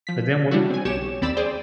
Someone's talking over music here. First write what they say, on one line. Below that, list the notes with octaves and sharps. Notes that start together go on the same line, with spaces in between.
but then wha
F3 B6
G3 D4 E4 F#4
C4 G#5
B1 G4 C#5 E7
D#2 C4 D5 B5 E6 E7
G#4 C5 D5 G5